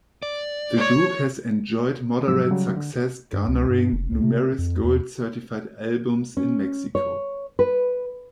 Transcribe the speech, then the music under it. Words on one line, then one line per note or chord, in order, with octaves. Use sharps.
The group has enjoyed moderate success garnering numerous gold-certified albums in Mexico.
D5
C#5
G#2 F3 F#3 E6
C#3 F#3 G3
D3
G2
C#2
G2
F1
C#2
C3
F2
E2
C#4
C#5
B4